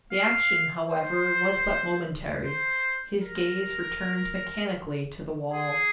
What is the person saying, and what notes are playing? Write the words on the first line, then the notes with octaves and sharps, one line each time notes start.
The action, however, was but momentary, his gaze returned mechanically to the wall.
F5
C5
C5
A#4
G#4